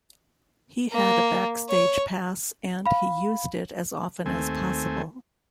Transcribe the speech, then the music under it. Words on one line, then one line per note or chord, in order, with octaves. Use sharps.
He had a backstage pass and he used it as often as possible.
A#3
C#5
F5 B5
D#2 A3 C4 G#5